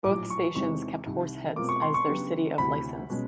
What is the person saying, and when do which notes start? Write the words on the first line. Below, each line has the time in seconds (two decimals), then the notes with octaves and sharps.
Both stations kept Horseheads as their city of license.
0.04 A#1 A2 F#3 D6
0.30 C#6
0.55 E2 C3 D#3 G#3 C4 C#6
1.06 C2 C3 D#3
1.56 B2 G#3 C4 F4 A#4 D6
1.69 C#6
1.82 C6
1.94 C#6
2.07 C#3 F#3 B3 D4 G4
2.58 D2 C3 E3 B5
3.10 B2 G#3 C#4